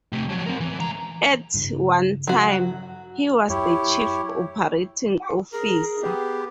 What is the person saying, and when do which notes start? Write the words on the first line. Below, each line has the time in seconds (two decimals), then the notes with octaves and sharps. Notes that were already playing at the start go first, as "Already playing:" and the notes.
At one time, he was the chief operating officer.
0.13 C3 A3
0.29 F3 F#3
0.46 C4 A#4
0.60 E3
0.80 G#3 A#5
1.54 G2 C#3
2.27 F#3 F#4
3.50 F#2 E4 G4 C#5
5.53 G#4 A#4
6.02 B3 G4